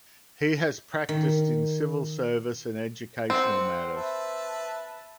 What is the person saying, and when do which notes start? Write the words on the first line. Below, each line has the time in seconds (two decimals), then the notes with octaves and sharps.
He has practiced in civil service and educational matters.
1.09 D#3
3.30 C4 F#5
3.96 B4 E5 A5